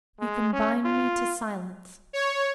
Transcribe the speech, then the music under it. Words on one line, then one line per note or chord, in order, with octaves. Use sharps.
You can bind me to silence.
G#3
C#4
F4
C#5